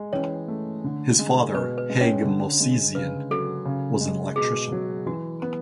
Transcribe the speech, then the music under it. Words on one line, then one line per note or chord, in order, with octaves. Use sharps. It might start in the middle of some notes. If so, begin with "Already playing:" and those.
His father, Haig Mosesian, was an electrician.
Already playing: G#3
E3 C#4 C#5
A3
D3
G#3
B2 B4
B4
G#3
C#4 C#5
D3
G#3
C#3 B4
F#3 A4
C#3
G#3
B2 G#4
F#3
E3 F#4
B3